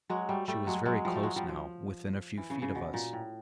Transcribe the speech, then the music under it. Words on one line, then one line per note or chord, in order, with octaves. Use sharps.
She was very close now, within a few feet of us.
F#3 G#3
G3 A3
G3 A3
F#3 G#3
F#3 G#3
F3 G3
A3
F#3 G#3
F3 G3
F3
E3
C#3
C#3
B2
A#2
A2